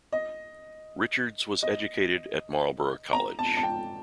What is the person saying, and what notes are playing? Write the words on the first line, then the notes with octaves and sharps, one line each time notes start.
Richards was educated at Marlborough College.
D#5
D#5
A#5
A5
A5
G5